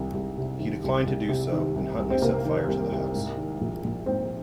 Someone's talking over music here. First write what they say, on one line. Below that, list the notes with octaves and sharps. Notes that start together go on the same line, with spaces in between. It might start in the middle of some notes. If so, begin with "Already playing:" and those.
He declined to do so, and Huntly set fire to the house.
Already playing: C2 D#3
C2
C3
D#3
C2
C2
C3
D#3
C2
C2
C4
C3 A#3
D#3
C2
C2
G#2
D#3
A#1
A#1
G#2 C4